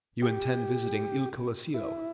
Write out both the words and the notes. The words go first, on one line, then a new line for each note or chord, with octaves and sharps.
"You intend visiting Il Colosseo."
G4
E4